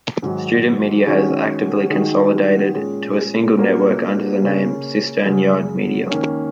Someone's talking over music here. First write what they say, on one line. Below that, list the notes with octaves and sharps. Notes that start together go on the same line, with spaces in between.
Student media has actively consolidated to a single network under the name CisternYard Media.
G#2 D#3 F#3
D#3 G#3 C#4 F#4
D#3 G#3 D#4 F#4
A#2 G#3 C#4
A#2 A#3 C#4 F#4
C#3 A#3 C#4
F#2 C#3 G#3 F#4
D#3 A#3 C#4